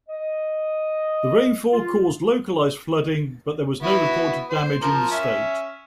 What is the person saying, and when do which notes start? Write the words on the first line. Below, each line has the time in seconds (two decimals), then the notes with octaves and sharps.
The rainfall caused localized flooding, but there was no reported damage in the state.
0.09 D#5
1.73 F4
3.82 B3 E4 F#4
4.50 C5
4.82 F3 A#4
5.11 C#4 E5